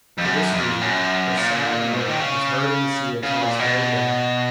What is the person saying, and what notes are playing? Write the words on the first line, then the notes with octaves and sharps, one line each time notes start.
For this reason her sad moan is heard in the sea until this very day.
F2
F#2
F2
F#2
A#2
G#2
D#3
C#3
C#3
A#2
B2